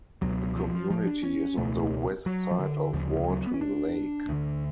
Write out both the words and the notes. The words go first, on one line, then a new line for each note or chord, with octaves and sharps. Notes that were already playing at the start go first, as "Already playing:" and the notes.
The community is on the west side of Walton Lake.
C#2 B2 F#3
F3
F3
D4
C#4
C#2 B2 A3
F#3
F3
D3
D2 C#3 F3
F#3
B3
C#4
D4
D2 D3